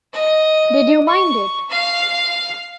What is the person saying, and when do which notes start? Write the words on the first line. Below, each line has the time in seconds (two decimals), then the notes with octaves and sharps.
Did you mind it?
0.13 D#5
1.07 C#6
1.70 F5